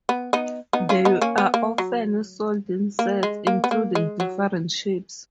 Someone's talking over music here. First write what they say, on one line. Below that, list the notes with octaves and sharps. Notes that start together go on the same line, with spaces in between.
They are often sold in sets, including different shapes.
B3
B3 D#4
B3 D#4
C#4 F4
B3 D#4
A#3 C#4
B3
A#3
F#3
A#3
G#3
A#3
B3
A#3
G#3
F#3